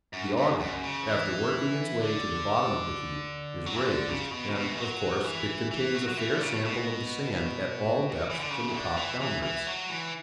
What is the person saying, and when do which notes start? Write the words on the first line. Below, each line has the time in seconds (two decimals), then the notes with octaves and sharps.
The auger, after working its way to the bottom of the heap, is raised, and, of course, it contains a fair sample of the sand at all depths from the top downwards.
0.13 F#2
0.37 F#2
0.60 F#2
0.83 C#3
1.07 E3
1.99 D3
3.66 F#3
3.76 E3
3.85 D3
4.08 C#3
4.31 B2
4.50 C#3
4.55 B2
4.71 E3
4.78 F#3
5.24 E3
5.71 E3
5.95 F#3
6.08 F#3
6.17 E3
6.33 D3
6.41 C#3
6.53 A2
6.64 B2
8.18 F#3
8.29 E3
8.39 D3
8.50 C#3
8.68 E3
8.74 D3
8.97 E3
9.20 E3
9.43 E3
9.67 F#3
9.90 E3